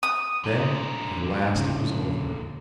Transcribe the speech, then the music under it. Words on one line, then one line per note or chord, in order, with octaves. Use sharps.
Then at last it was over.
D#6
A#2 D3
E2 A2 C#3